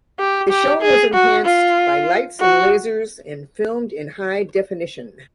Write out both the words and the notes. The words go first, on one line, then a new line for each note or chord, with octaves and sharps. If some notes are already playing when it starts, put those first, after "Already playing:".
The show was enhanced bylights and lasers, and filmed in high definition.
G4
G4
G#4
F#4
F4
F#4